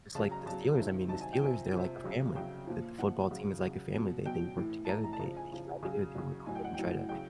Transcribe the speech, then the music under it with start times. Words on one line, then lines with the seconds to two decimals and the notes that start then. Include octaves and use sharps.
it's like the Steelers. I mean, the Steelers, they're like a family, the the football team is like a family, they they work together, they they strive together, they work hard and try to,
0.15 C#3 A5
0.18 F#3
0.31 A#5
0.46 C#3 F#3 A5
0.78 C3 D#3 F#3
1.09 C3 D#3 F#3 A5
1.21 G#5
1.33 G5
1.41 C3 F3 G#5
1.73 C3 F3
2.04 C#3 F#3
2.36 C#3 F#3 G5
2.67 A#2 F3
2.99 A#2 F3 F#5
3.31 C#3 F#3
3.62 C#3 F#3
3.94 B2 F#3
4.25 B2 F#3 G5
4.56 A2 E3
4.85 A5
4.89 A2 E3 A#5
5.04 A#5
5.13 A5
5.20 C#3 A#5
5.24 F3
5.37 G#5
5.52 C#3 F3
5.83 C#3 F#3 G#5
6.15 C#3 F#3
6.46 A2 F#3 G#5
6.55 G5
6.64 F#5
6.74 A2 F#3 G5
7.09 C#3 F#3 G5